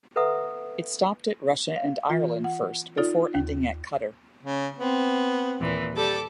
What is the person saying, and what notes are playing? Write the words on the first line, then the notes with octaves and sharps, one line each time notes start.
It stopped at Russia and Ireland first before ending at Qatar.
A4 B4 E5 F#5 A#5 D#6
F5
E3 F4
F#5
D#4 F4 A4 D5
D#2
C#3
B3 C4
D#2 A#2 E3
G3 A4 A5 D6